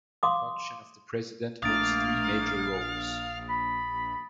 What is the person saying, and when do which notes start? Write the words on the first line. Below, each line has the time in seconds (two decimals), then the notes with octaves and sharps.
The function of the President holds three major roles.
0.23 F5 C6 D6 D#6
1.63 A#1 A3 A#3 D4 F5 D#6 A6 D7
3.49 B5